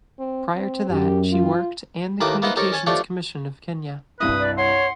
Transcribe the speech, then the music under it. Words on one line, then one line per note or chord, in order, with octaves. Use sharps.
Prior to that she worked and the Communications Commission of Kenya.
C4
C4
F#2 G4
F4
D#2 A2 A#3 B4 D6 D#6
A#3 B3 D#4 E4 B4 C5
C4 D#4 G4 A4 A#4 C#5
C#4 C#5 G#5 A5
F3 A3 C4 D4 G4 C#5
C2 G2 E4 B4 D#6
D5
C#5 F#5 C6